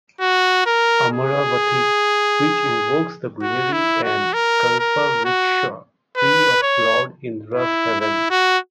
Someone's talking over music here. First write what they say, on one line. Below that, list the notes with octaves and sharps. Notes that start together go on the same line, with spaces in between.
Amaravathi, which invokes the greenery and Kalpavriksha tree of Lord Indra's heaven.
F#4
A#4
G#4
F#4
E4
F#4
A#4
A#4
F#4
B4
C#5
E4
E4
F#4